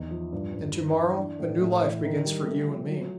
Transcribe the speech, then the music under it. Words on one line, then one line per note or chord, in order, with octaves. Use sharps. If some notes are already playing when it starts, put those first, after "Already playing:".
"And to-morrow a new life begins for you and me."
Already playing: E2 D#4
F3
G2
G2
E4
E3
D4
A2
A2
E3
D#3
G3
A3
F3
F#3